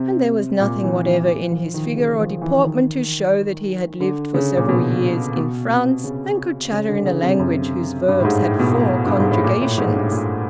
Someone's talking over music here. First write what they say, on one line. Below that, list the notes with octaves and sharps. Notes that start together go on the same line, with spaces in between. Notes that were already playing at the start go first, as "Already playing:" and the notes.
And there was nothing whatever in his figure or deportment to show that he had lived for several years in France and could chatter in a language whose verbs had four conjugations.
Already playing: C3
A#2
E3
E3
E3
F3
D#3
C#3
F3
E3
D#3
D3
C#3
A#2
B2
B2
C3
C#3
C#3
D3
C#3
C3
F#2
G2
A2
G#2
A2
B2
G2
G#2
A2
A#2
A2
G#2
G2
A#2